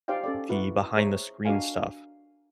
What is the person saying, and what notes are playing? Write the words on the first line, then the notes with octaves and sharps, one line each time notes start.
the behind the screen stuff.
D#4 G4 C5 D5 F5 G5
C#4 A4 D5
E4 F#4 A#4 B4 E5
G#4 C5 C#5 E5 A#5
D4 F#4 A#4 D#5 F5 G#5